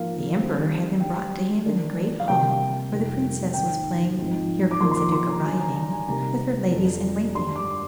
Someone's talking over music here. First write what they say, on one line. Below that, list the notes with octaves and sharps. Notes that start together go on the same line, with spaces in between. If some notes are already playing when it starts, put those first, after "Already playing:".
The Emperor had them brought to him in the great hall, where the Princess was playing 'Here comes a duke a-riding' with her ladies-in-waiting.
Already playing: G#2 F3 A#3 F5
D#3 G3 C4
D3 G3 D4 G5
D#3 A#3 D4
F5
C3 G3 A#3 G5
F2 C3 G3 A#3 D#4
G#2 D#3 A#3 D#4 G5
G#2 F3 C4
D6
D3 F3 A#3 D#4 C6
C6
D6
C6
A#5
D#3 G3 D4 G#5
A#5
A#5
G#5
C3 G3 A#3 D#4 A#5
F2 D3 G3 D4
G2 D3 G3 D4 C6
D6